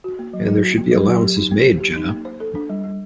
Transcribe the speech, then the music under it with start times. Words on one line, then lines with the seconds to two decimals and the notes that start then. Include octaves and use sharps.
And there should be allowances made, Jenna.
0.04 F#4
0.19 A#3
0.33 F#3
0.48 F#3
0.63 F#4
0.77 A#3
0.92 F#3
1.07 F#3
1.22 G4
1.37 D#4
1.51 A#3
1.66 C5
1.80 G4
1.96 D#4
2.10 A#3
2.25 C5
2.40 A4
2.55 D4
2.69 G3
2.84 G3